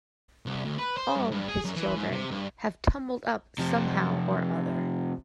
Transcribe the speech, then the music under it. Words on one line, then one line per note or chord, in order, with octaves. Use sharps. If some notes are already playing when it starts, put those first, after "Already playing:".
All his children have tumbled up somehow or other.
C2
D2
B4
C5
G2
G2
G#4
F#2
E3
G#2
C3
G2
C3 F3